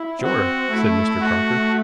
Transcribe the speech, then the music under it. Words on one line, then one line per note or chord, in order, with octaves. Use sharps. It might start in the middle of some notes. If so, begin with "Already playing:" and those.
"Sure," said Mr. Crocker.
Already playing: E4
C4 F#4
A3 E4
A3 F#4